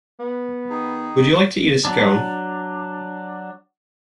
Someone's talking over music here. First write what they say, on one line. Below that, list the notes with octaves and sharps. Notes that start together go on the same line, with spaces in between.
Would you like to eat a Scone?
B3
D#3 D#4 G#4
F#3 D4